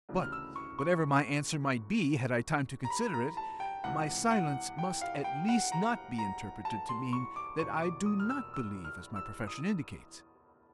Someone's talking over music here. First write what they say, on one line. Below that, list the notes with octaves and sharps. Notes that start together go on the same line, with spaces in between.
But whatever my answer might be had I time to consider it, my silence must at least not be interpreted to mean that I do NOT believe as my profession indicates.
D2 C#3 E3
F6
E6
C#6
C#6
A#5
B5
A#5
A5
G5
C#2 C3 E3 F#5
F#5
G5
F5
G5
F#5
A#5
A#5
A5
C6
C#6
D6
E2 B2 C#6
D6
D#6
F6
E6
E6
F6
E6
D#6